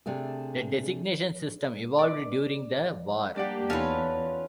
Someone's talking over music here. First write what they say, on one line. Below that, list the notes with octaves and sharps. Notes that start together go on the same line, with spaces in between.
The designation system evolved during the war.
C3 A3 D4 G#4
D5 D6
G3 A#3 D4 G4 D5 F#5
E2 C#4 D#4 F4 A4 B4 F5